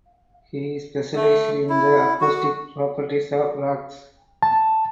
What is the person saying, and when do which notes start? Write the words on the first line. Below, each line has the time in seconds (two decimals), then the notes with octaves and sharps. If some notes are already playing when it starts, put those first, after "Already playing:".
He specialised in the acoustic properties of rocks.
1.16 A3
1.69 E4
2.21 F#4
4.43 A5